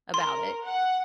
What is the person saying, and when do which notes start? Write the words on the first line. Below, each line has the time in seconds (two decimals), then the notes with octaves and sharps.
about it.
0.14 A#4 C6
0.63 F#5